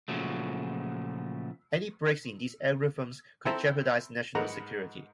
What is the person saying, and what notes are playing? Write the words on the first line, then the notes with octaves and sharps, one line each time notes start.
Any breaks in these algorithms could jeopardize national security.
A#2 C#3 F3 F#3 A3
C4 E4 A4 C5 E5 A#5
G#2 G#3 A#4 B4 F#5 A#5